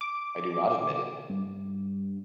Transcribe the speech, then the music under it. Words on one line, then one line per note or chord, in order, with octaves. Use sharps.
I do not admit it.
D6
G2